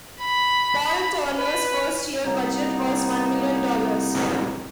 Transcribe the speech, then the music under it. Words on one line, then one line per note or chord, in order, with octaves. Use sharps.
Paul Turner's first year budget was one million dollars.
B5
B4
C2 A#3 B3 D#4